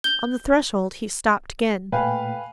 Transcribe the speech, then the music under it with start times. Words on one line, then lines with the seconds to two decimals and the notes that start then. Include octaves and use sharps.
On the threshold he stopped again.
0.04 G6 G7
1.92 A#2 A3 B4 F5 G5 G#5